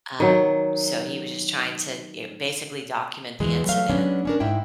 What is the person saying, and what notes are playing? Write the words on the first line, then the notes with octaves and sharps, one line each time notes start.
um, so, he was just trying to, eh, basically document the incident,
D#3 F#3
E2 E3 G#3 D#5
F#3 A3 F5
F#3 G#3 B3 C#4 D4
C#4 D4 A#4
G#2 E4 G5